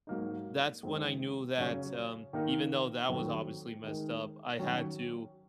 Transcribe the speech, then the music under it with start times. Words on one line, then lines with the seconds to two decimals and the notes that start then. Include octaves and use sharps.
that's when I knew that, um, even though that was obviously messed up, I had to,
0.07 G#2 F#3 A#3 D#4
0.83 F#2 D#3 G#3 C4
1.58 F#2 C#3 F#3 C#4
2.33 D#3 A#3 D#4 A#4
3.09 F2 D#3 F#3 C4
3.83 D#3 G#3 D#4 A#4
4.59 D#3 F#3 C#4